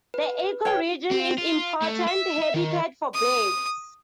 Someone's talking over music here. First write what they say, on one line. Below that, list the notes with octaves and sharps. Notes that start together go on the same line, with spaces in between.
The ecoregion is important habitat for birds.
B4
B4 C#5 G5
C4
F4
A3
E5
D#3
D#6